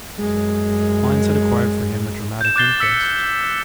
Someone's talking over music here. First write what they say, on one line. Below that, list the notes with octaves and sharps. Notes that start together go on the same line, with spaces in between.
Mines had acquired for him a dramatic interest.
F#2 G#3
G6 E7
D6 F#6 G6 A6 C7 G7
E6 B6 C#7